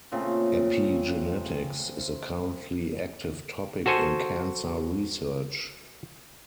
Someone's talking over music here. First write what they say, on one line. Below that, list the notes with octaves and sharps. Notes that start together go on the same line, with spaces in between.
Epigenetics is a currently active topic in cancer research.
A#2 C#3 A3 C4
F#4 A4 C5 G#5